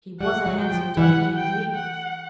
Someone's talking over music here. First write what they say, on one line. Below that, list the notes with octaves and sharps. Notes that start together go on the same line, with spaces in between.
He was a handsome Donkey indeed!
G3 F#5
F#3
G5
F3
E3 F#5
G5
F#5